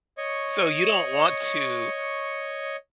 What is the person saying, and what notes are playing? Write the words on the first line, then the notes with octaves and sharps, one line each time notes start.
so, you don't want to,
C#5 D#5 C#6